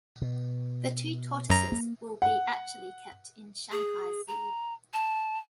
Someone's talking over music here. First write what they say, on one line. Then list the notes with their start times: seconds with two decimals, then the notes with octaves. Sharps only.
The two tortoises will be actually kept in Shanghai Zoo.
0.22 B2
1.50 F#2 A#5
1.72 A#3
2.22 F#5
3.72 G#4
4.28 A#5
4.93 A5